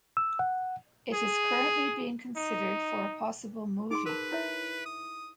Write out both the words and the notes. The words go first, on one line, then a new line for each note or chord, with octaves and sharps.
It is currently being considered for a possible movie.
E6
F#5
G#4
D#4
D#4 G#4 C6 D6
A#4 B4 A5
E4 C#5 E5
D#6